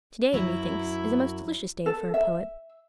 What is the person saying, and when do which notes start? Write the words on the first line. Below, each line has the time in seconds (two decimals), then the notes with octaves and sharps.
Today, methinks, is a most delicious day for a poet.
0.33 F#2 F#3 E4
1.86 A4
2.14 E5